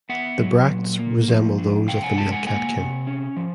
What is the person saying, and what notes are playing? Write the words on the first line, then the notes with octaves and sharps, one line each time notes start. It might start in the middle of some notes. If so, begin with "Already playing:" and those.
The bracts resemble those of the male catkin.
B3 E5 F#5
F#3
A#2
A#3
F3
D4
C3 F5 G5
F#5 G#5
G#3 G5 A5
F#5 G#5
A#3 F#5 G#5
C3
C#4
F3